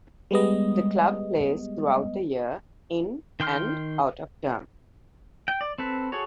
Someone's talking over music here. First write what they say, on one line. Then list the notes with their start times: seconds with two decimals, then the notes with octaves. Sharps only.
The club plays throughout the year in and out of term.
0.31 G3 G#3 B3 D#5
3.40 D#3 G5 C6 F6 G6
5.48 G5
5.61 D5
5.78 C4 A4 B4
6.12 F#4 G#4 A4 C#5